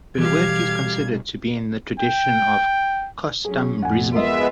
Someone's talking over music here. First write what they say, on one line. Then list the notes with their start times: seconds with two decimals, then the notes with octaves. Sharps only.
Her work is considered to be in the tradition of "costumbrismo".
0.18 B2 E3 G3 G4 F5 G#6
2.00 G5
3.45 F#3 C#4 G#4
3.82 F2 A2 F#5 G#5
4.14 G#3 B3 F4 A#4 D#5 E5